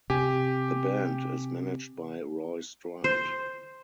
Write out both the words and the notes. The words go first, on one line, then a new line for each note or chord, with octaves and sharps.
The band is managed by Roy Stride.
C3 G4 G#5
C5